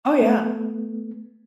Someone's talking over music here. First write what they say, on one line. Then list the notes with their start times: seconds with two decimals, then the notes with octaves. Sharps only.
Oh, yeah.
0.21 A3 B3